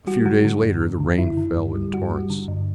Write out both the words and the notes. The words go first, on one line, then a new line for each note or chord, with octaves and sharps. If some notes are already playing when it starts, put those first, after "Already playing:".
A few days later, the rain fell in torrents.
G3 F#4
D3 F#4
D3
G2
D3
D3
F#2 E4
D3
G2
G3
G2 F#4
G3
D3
G2